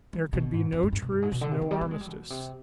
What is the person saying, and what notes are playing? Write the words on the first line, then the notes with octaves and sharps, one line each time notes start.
There could be no truce, no armistice.
G3
C3
B2
G#2
F2
G2
G#2
B2
G2
G#2
B2
D3
C3
D#3
G3
B3
G#3
G3
B2
C3